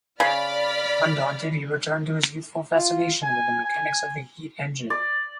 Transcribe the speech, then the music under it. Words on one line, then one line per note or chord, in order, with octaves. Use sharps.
Undaunted, he returned to his youthful fascination with the mechanics of the heat engine.
C#3 D5 B5 F6
F4
G#5
G#5
D5